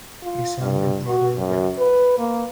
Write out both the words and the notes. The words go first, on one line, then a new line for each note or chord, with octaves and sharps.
His elder Brother Rev.
F4
G2
F#4
F#2
B4
A#3